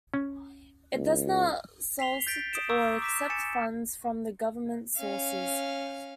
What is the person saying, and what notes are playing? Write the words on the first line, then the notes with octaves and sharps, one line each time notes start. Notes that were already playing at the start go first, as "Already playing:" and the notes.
It does not solicit or accept funds from government sources.
C#4
C#2
B6 C7 F7 G7
G6 A6 B6 D7
D#6 D7 E7
A#5 C#6 D6 E6 G6
D6 B6 E7
G#5 A6 C#7 E7
C#4 F5